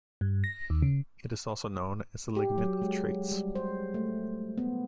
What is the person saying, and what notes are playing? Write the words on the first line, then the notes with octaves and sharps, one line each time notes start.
It is also known as the ligament of Treitz.
G2
A#6
D#2
C#3
G4
F#3
G#3
G3
C5
A3
B3